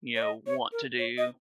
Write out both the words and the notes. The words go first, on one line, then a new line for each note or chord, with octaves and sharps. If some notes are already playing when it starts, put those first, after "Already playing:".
you know, want to do.
C#5
D#5
C#5
A#4
C#5
D#5